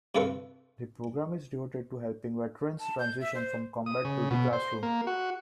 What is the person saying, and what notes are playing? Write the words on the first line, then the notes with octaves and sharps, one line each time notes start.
The program is devoted to helping veterans transition from combat to the classroom.
G2 C3 F4 A4 B4 C#6
A5
G6
E5
C5
D#6
C#3
B2
C5
A#3
F#4